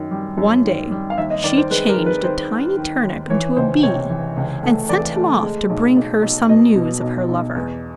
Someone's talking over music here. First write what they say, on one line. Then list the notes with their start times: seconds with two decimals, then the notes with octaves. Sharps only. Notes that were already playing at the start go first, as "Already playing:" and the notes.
One day she changed a tiny turnip into a bee, and sent him off to bring her some news of her lover.
Already playing: F#2 D#3
0.11 G3
0.38 F#2
0.64 D#3
0.91 G3
1.10 F5
1.18 D#2 E5
1.30 D#5
1.44 D#3 D5
1.57 C5
1.71 G#3 B4
1.88 A#4
1.97 D#2
2.06 B4
2.23 D#3 C5
2.50 D#3
2.77 D#3
3.03 D#2
3.30 E3 C#5
3.56 C#2 C5
3.83 C3 C#5
4.09 E3
4.37 C#2
4.63 A3
4.89 E3 D5
5.16 A3
5.43 G#3
5.69 B1
5.96 B1
6.22 B1
6.49 B2 D#5
6.76 B2
7.02 B1
7.28 B1
7.55 E2